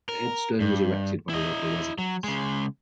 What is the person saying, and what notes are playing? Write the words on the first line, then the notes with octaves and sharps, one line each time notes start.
The headstone was erected by local residents.
A#4
G2
E4 D#5
F#3
C#3 G#3